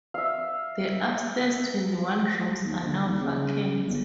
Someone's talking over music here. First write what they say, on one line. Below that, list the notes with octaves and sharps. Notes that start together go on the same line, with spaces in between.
The upstairs twenty-one rooms are now vacant.
E5 F5
D#2
D3
D#2
C#3
G1